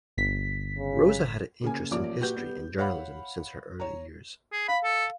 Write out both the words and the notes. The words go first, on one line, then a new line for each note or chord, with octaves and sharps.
Rosa had an interest in history and journalism since her early years.
G1 B6
C#3
C#3 A#3 G#5
A1 F3 A#3 D5 D6
A#2 F#4 G4 B4 G6
G3 B3
C#5 F5 F#5 B5
C#5 A#5
G#4
F5 B5
A4